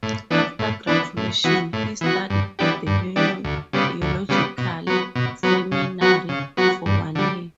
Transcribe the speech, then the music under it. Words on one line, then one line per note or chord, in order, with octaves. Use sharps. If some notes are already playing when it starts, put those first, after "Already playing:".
After graduation, he studied at the Union Theological Seminary for one year.
A2
E3 B3 D4
A2
E3 B3 D4
A2
E3 B3 F#4
A2
E3 B3 F#4
G2
E3 B3 D4 G4
G2
E3 B3 D4 G4
D2
C#3 G3 B3
D2
C#3 G3 B3
B2
F#3 B3
B2
F#3 B3
C#3
F#3 B3 F#4
C#3
F#3 B3 F#4
G2
D3 G3